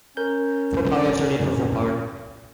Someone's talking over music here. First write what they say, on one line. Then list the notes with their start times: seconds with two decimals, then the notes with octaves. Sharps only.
Four power-ups are needed for full power.
0.17 C#4 A#4 G6